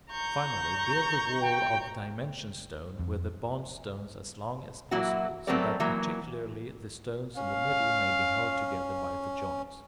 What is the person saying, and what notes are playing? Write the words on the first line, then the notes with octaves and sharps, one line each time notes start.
Finally, build the wall of dimension stone, with the bond stones as long as possible, so that particularly the stones in the middle may be held together by the joints.
A#5 C#6 G6
G5
F2
E3 F#3 A#3 E4 F#4
F#3 A3 B3 C4 A#4 D5
E3 F#3 A#3
C#4 F5